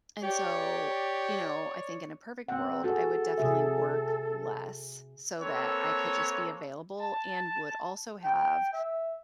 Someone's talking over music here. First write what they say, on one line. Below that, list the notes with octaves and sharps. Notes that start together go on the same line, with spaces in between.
and so, you know, I think in a perfect world, I would definitely work less so that I could just be available and would also have
G4 C#5 D5
B3 C4 F#5
F#4 G#4 A4
C3 G#4 E5
A#3 C4 A4 B4 C#5
A5
G5
E5